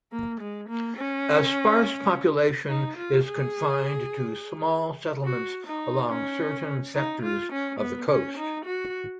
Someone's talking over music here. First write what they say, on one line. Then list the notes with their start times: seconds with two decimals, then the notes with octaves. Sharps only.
A sparse population is confined to small settlements along certain sectors of the coast.
0.12 A#3
0.41 G#3
0.69 A#3
0.97 C#4
2.68 D#4
2.97 F4
3.25 G#4
5.25 F#4
5.67 D#4
6.10 C#4
6.95 D#4
7.23 F4
7.52 C#4
7.80 B3
8.09 C#4
8.38 D#4
8.65 F#4